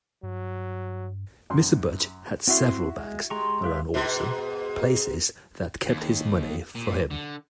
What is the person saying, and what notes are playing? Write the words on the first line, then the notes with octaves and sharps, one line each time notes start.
Mr. Butch had several "banks" around Allston, places that kept his money for him.
G2 F#3
F#2 C6
C4 E4 F#4 E5 C6
G#3
G#3 G4 A#5 C#6
G4 B4 E5 F5
G#2 B2
D#2
A#2
D3